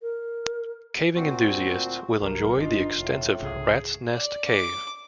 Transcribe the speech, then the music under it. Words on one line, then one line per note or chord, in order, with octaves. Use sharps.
Caving enthusiasts will enjoy the extensive Rat's Nest Cave.
A#4
D2 A#2 C4 F#4 C5
C2 F#3 A#4
G1 C3 D4 D#4 F4
E1 A2
C2 G#2 C#3 G#4
D5
D6